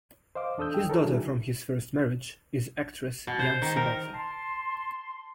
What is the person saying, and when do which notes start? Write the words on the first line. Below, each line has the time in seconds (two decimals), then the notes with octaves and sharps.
His daughter from his first marriage is actress Yancy Butler.
0.35 C5 D#5 F5 D6
0.58 E2 D4 A4 D#6 E6 G6
0.74 G5
0.88 D#4 A4 A#4 C#5
1.00 D#3 G3 D4 E4 F#4 G#4
3.27 B2
3.39 C5
3.62 D#3
3.76 A#4
4.14 A5 C6